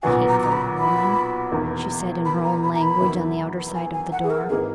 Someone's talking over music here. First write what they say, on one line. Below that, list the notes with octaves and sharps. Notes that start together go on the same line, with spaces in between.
"Hateful woman!" she said in her own language, on the outer side of the door.
B1 A#2 F#3 B3 F#4 G#5
A#5
A#5
B5
B5
E1 E2 D#3 A#3
B5
A#5
B5
A#5
B5
E2 D#3 F#3 A#3 E4
G#5
G#5
F#5
G#4
A#4
G#1 E3 A#3 D#4 G#4